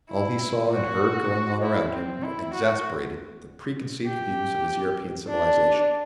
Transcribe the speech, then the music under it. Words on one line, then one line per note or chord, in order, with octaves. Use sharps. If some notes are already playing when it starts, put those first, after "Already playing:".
All he saw and heard going on around him exasperated the preconceived views of his European civilization.
E4
F#4
E4
C4
E4
F#4
G4
D4